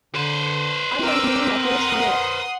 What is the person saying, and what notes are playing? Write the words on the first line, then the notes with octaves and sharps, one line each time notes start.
Audio engineering by Felix Tournier.
D3 B4 C5
C4 A#4 G5 D6 E6
F#5 C6 D#6